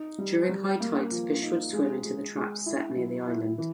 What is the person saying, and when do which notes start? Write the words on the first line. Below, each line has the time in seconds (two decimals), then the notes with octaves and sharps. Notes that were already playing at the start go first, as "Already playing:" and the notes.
During high tides fish would swim into the traps set near the island.
Already playing: D#4
0.18 G3
0.49 G3
0.80 A#3
1.11 F3
1.43 D#4
1.73 G#3
2.04 G#3
2.35 G#3
2.66 E4
2.97 F#3
3.27 E4
3.58 E3